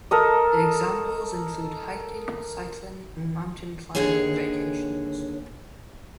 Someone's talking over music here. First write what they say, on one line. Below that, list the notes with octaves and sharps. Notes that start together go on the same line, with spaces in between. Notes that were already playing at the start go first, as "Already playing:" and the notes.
Examples include hiking, cycling, and mountain climbing vacations.
A4 A#4 D#5
D#2 G#2 D3 G#4 C#5 G#5